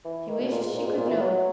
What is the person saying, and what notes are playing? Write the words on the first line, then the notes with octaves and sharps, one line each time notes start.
She wished she could know.
E3
D#3
B2
A#2
G#2
A#2
G#2
A#2
E3
F#3